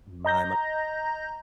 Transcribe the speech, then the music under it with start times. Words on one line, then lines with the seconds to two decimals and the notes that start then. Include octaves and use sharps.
My my
0.25 D#5 A#5 G6 A#6